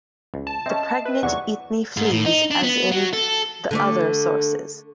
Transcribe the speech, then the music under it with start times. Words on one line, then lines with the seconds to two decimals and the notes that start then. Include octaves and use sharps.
The pregnant Eithne flees as in the other sources.
0.34 C#2
0.47 A5
0.66 C4 C#4 D#5 E5
1.05 B4
1.23 E2 C3 F#3 D5 F#5 C#6
1.97 G#2
2.11 A2
2.26 D#4
2.51 D4
2.63 B3
2.92 F#3
3.13 A4
3.71 D3 A3 D5